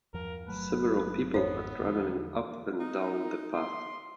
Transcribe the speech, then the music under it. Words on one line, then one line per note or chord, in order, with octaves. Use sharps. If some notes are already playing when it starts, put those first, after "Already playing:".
Several people are travelling up and down the path.
E2 G2 F3 A#4
G1 F#3 A3 B4
G#1 F2 G#2 B3 C5 C#5
E2 D3 F3
D#4 A#5
C6